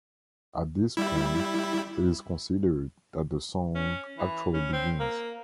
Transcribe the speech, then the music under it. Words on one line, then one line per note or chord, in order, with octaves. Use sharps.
At this point, it is considered that the song actually begins.
G3 E4
C#4
E3
C#4
C4
A#3